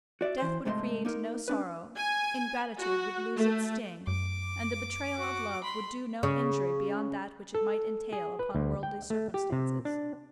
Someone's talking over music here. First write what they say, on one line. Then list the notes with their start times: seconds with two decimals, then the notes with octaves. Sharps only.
Death would create no sorrow; ingratitude would lose its sting; and the betrayal of love would do no injury beyond that which it might entail upon worldly circumstances.
0.21 F#4 D5 E5
0.38 E3 C5
0.65 G#2 C3 A3 A4 D#5 C6
1.05 A#3 D#4 A#4
1.48 C#4 D4 B4
1.96 G#5
2.79 F#4
3.37 A3
4.07 F#2 D6
5.17 F#4
5.64 B5 C6
6.23 C#3
7.55 A4
8.13 G#4
8.39 B4
8.55 D2
8.83 G5
9.10 A3
9.34 G4
9.52 C3
9.85 D4